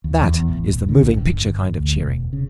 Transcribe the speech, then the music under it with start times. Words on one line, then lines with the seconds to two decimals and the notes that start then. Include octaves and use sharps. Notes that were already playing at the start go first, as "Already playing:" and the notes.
That is the moving picture kind of cheering.
0.04 D#2
0.21 E2
0.48 A1
0.70 D#1
0.89 D3
1.01 A#1
1.18 D#1
1.30 G1
1.78 D2
1.95 E1
2.33 C#3